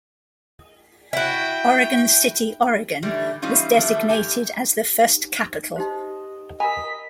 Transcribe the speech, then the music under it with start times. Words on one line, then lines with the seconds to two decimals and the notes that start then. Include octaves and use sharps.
Oregon City, Oregon, was designated as the first capital.
1.13 E4 F#4 G5
3.02 A2 D3 E3 G3 A3
3.42 E3 G3 C#4 D#4 F4
3.77 E3 F3 G3 A3
4.09 G2 G4 G#5
5.76 D#4 G4 C5 D#5
6.60 A#4 D#5 G#5 A#5 B5 B6